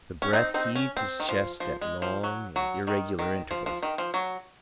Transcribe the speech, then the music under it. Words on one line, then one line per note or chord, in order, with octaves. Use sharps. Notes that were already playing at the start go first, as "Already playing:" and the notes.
The breath heaved his chest at long and irregular intervals.
C#4
C4 D#4
C4 D#4
C#4
C4
D#3
F3
F3
G#3
F3
F#3
F#3
D#3
D#3
F3
F3
D#3
F3
F#3